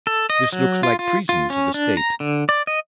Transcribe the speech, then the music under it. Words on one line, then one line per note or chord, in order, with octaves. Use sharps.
This looks like treason to the state.
A4
D#5
F#3
F4
F4
F4
C#4
D4
A#5
D3
D5
D#5